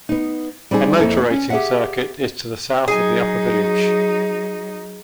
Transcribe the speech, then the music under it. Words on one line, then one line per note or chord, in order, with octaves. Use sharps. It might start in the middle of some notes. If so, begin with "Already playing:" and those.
A motor racing circuit is to the south of the upper village.
B3 D#4
G3 C4 D#4 G#4
F2 A#3 E4 A4
C#4
G4 G#4 B4 E5 F#5
F#3 D#4 G#4 G#5